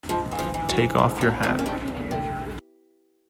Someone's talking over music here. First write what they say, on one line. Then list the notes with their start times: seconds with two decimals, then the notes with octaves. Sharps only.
Take off your hat.
0.09 G#2 F3
0.31 E3
0.39 F3
0.54 E3
0.69 F#3
0.77 G#2
0.98 G#2
1.21 D#3 F#3
1.43 D#3 F3 G3
1.59 A#3
1.66 G#2 G3 A3
1.88 E2
2.11 C3